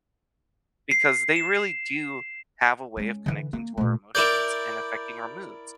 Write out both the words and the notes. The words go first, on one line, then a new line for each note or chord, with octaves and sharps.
because they really do have a way of connecting to our emotions and affecting our moods.
C7
E7
G#3 C#4
D3 E3
A#3
A#2 A3
E4 A#4 D5 D6 G6